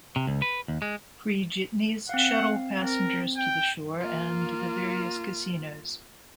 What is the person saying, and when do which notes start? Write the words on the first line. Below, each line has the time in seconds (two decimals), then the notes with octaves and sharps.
Free jitneys shuttle passengers to the shore and the various casinos.
0.16 C3
0.27 C#2
0.42 B4
0.68 D#2
0.82 G#3
2.09 C4 F5 F#5
2.82 C4 A#4
3.37 G5
4.00 A#3 F4